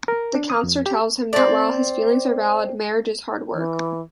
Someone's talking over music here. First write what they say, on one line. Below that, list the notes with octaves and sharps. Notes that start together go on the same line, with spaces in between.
The counselor tells him that while his feelings are valid, marriage is hard work.
A#4
D4
D#6
F2
G4
C4 D5
E3